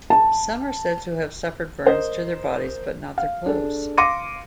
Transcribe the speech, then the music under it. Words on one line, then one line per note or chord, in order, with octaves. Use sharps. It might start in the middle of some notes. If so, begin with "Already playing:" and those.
Some are said to have suffered burns to their bodies, but not their clothes.
A5
A#4 C5 D#5
F5
D4 G#4 A4
F5 C6 D6 A#6 C#7 D#7